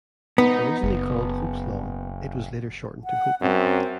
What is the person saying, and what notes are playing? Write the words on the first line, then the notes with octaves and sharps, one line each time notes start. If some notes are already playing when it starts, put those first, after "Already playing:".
Originally called Hope's Lawn, it was later shortened to Hopelawn.
B3 D#4
F#1
F#5
F#2 C4